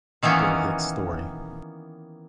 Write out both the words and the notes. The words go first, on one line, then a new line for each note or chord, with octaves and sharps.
The Bill Hicks Story.
D#3 E3 A#3 B3 C#4